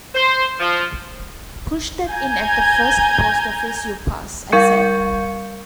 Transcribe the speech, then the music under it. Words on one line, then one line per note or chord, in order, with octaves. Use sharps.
"Push that in at the first post office you pass," I said.
C5
F3
G#5 A#5 G6 G#6
G3 A#4 F5 C#6 G6 C#7